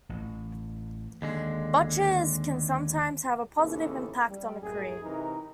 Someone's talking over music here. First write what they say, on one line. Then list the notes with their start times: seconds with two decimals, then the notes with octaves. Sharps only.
Botches can sometimes have a positive impact on a career.
0.09 A1
1.22 D#2 D3 G#3
3.58 A1 D#2 C#3 E3 C4 A4
4.27 G3
4.62 A1 F#2 G#4
5.03 C3 E3 D#4 A#4